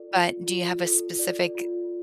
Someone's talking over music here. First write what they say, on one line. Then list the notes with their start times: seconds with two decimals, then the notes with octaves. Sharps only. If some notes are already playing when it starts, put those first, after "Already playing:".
but do you have a specific
Already playing: F4 A4 D5
0.11 F4
0.46 F4
0.82 A4
1.19 D5
1.55 F4